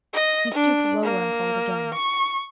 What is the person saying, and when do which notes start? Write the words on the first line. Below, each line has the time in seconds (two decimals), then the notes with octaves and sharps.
He stooped lower, and called again.
0.13 D#5
0.54 D4
1.02 A#3
1.94 C#6